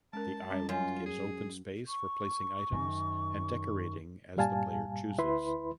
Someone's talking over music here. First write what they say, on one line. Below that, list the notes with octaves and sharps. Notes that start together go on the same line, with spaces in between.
The island gives open space for placing items and decorating as the player chooses.
G#3 C#4 A#4 A5
G3 C#4
F#2 F4 C#5
G#4
C#6
F#2 D#3
G2 A#2 G3 F5 G#5 A5
D2 E4 B4 B5 C6